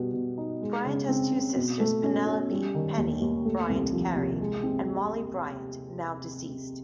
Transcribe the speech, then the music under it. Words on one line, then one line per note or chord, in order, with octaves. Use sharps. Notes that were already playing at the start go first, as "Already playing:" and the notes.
Bryant has two sisters, Penelope "Penny" Bryant Carey, and Molly Bryant, now deceased.
Already playing: B2 G3 B3
B2
D#4
G#3
C#3
C4
C#3
B2
A3
C#4
C#4
G3
D#3
D#2
D#2
A3
C2
F3
C3
G#3
C4